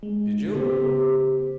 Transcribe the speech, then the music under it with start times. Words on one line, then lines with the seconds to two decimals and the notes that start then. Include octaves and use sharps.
"Did you...."
0.03 G#3
0.54 C#3 B3 G4 C5